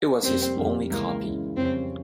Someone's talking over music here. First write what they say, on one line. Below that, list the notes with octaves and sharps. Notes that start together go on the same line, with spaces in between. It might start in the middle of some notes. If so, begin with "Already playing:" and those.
It was his only copy.
F2 C3 G3 A#3 C4
F2 C3 G3 A#3
C#2 C#3 E3 G#3 A#3 E4
C#2 C#3 E3 G#3 E4
F2 C#3 G3 C4 C#4